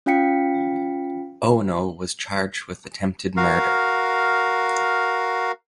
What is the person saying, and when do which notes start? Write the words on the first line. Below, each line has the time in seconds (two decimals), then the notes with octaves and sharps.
Owino was charged with attempted murder.
0.06 C#4 F4 F5 G5 B6 C#7
3.37 F#4 A#4 F5